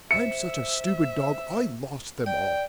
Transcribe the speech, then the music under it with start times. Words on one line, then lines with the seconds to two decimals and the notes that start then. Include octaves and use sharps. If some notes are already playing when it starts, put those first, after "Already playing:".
I'm such a stupid dog I lost them all!
0.11 C5 E5 E6 C#7
2.26 D5 G5